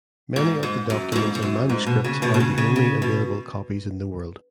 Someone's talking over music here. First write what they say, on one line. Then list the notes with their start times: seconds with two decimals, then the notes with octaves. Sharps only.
Many of the documents and manuscripts are the only available copies in the world.
0.36 G#2
0.63 G#2
0.90 F#2
1.12 A2
1.16 G#2
1.35 G#2
1.43 F#2
1.69 G#2
1.86 B2
2.04 C#3
2.22 B2 D#3
2.34 B2
2.40 C#3
2.58 C#3
2.76 C#3
3.02 B2